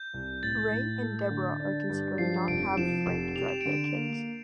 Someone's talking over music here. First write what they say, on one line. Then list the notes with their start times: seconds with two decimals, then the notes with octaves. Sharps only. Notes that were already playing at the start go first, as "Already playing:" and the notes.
Ray and Debra are considering not have Frank drive their kids.
Already playing: G6
0.13 C2
0.43 A2 A6
0.72 A2
1.02 A4
1.31 D3
1.60 D4
1.89 G2
2.18 F3 C7
2.48 F1 D7
2.77 F3 E7
3.06 F1 E7
3.36 G4 F7
3.49 E7
3.61 D3 D7
3.72 E7
3.95 A#3